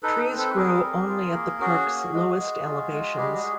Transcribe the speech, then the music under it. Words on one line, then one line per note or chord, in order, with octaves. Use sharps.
Trees grow only at the park's lowest elevations.
D#4 A4 B4
C4
A4 B4
G3 G#4 A#4
C4
F4
A#3
C#4 F#4 G#4
A#3
G#3
G#3
F4
G#3
G3 G4
F#4 G#4